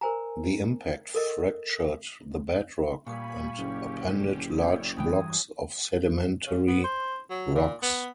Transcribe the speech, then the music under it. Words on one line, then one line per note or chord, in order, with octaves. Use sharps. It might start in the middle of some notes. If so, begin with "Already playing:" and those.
The impact fractured the bedrock, and upended large blocks of sedimentary rocks.
A#4 C5 G#5 A#5
A4 A#4 D#5
A#2 G3 F5 G#5 B5 C#6
F#1 D3 C#4 G4
C#4 E4 C#5 D5 G5
G2 E3 F#3 G5 G#5 D#6
C#3
B3
C5
F#3
A#2
B3